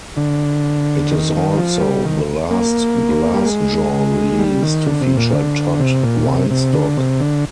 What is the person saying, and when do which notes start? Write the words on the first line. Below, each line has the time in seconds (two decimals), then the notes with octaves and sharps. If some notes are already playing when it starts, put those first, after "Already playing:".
It is also the last Glassjaw release to feature Todd Weinstock.
0.17 D3
1.11 D#3
1.57 F3
1.81 G3
2.05 D#3
2.51 A#3
3.34 G3
3.45 G#3
4.39 G3
4.63 D#3
4.86 D3
5.01 C3
5.17 A#2
5.32 D3
5.80 C3
6.03 A#2
6.26 C3
6.51 C3
6.73 D3
6.97 C3
7.20 D3